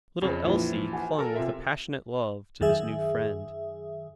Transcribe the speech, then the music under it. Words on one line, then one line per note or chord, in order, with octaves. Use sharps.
Little Elsie clung with a passionate love to this new friend.
F2 C#3
A#1 E3 F3
F#4 F#5 G#5
A4 A#4
C3 F4 E5
F#2 D#3 G#4 E5